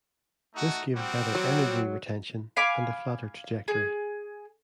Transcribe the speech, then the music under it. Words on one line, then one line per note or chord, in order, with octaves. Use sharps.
This gave better energy retention and a flatter trajectory.
A3 D#4 F#4
G3 C4 F#4
F#3
F5 G#5 B5 D6
G#4